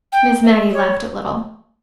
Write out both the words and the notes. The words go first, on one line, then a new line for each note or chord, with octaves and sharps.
Miss Maggie laughed a little.
G5
E5
E5
C#5